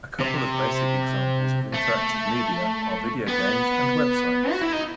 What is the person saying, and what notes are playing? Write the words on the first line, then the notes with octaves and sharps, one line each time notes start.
A couple of basic examples of interactive media are video games and websites.
C3
A3
B3
F#4
E4
D#4